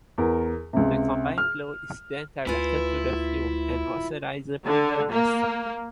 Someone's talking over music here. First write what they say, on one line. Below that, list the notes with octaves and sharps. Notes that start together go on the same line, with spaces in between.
This combined flow is then directed to the fuel and oxidizer preburners.
E2 A#4
C#2 C3
F6
D2 E4 F4 B4 G#5
D3
A#3